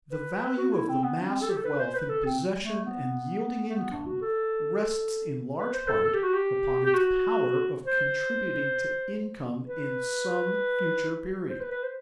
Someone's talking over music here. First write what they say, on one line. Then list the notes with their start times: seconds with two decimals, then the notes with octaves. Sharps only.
The value of the mass of wealth in possession and yielding income, rests in large part upon its power of contributing to income in some future period.
0.12 B4
0.58 F#4
0.73 E4
0.89 C4
1.04 B3
1.21 D4
1.26 C4
1.42 A4
1.49 G4
1.57 A4
1.65 B4
1.79 C5
1.95 B4
2.10 A4
2.25 C4
2.63 A3
2.86 B3
3.68 A3
3.77 B3
3.91 D4
4.06 F#4
4.22 A4
5.58 B4
5.74 C5
5.88 A4
6.04 A4
6.14 G4
6.24 F#4
6.34 G4
6.86 G4
6.95 F#4
7.85 C5
9.67 B4
11.49 C5
11.61 B4
11.72 B4
11.83 C5